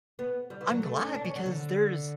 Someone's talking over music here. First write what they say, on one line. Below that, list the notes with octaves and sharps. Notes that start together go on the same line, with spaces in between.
I'm glad because there's
B3
G3
E3
F#3
A3
C#4
D4
C#4
F#3
D3